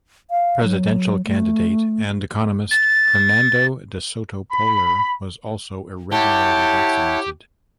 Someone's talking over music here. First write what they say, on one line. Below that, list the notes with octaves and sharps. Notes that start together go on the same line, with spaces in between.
Presidential candidate and economist Hernando de Soto Polar was also irregularly vaccinated.
F5
F#3
A3
A6
B5
E4 G4 C#5 F#5 A5